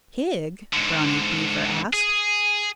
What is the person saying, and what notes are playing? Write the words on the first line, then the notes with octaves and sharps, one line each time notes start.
"Pig?" Brownie Beaver asked.
G#2 D3
G#4